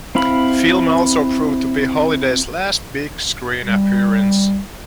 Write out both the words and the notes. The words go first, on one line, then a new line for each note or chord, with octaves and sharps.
The film also proved to be Holliday's last big screen appearance.
C4 E4 F5 B5
G3